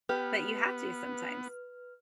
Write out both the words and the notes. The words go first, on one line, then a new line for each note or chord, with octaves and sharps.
but you have to sometimes.
B3 G4 B4 F6